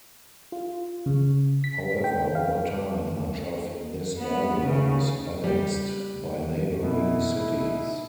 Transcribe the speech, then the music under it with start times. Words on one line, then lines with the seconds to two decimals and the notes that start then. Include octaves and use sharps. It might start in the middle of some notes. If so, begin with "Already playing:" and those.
However, over time, much of this area was annexed by neighboring cities.
0.52 F4
1.06 C#3
1.64 B6
2.04 G5
2.35 F5
4.18 B3
4.60 C#3
5.44 G3 G4
6.83 B2 E4